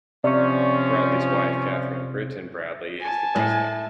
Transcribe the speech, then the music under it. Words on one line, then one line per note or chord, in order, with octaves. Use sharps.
Bradley's wife, Katherine Brittain Bradley, is the president.
C3 F3 C#4 D5 C#6
G#5 A5
A2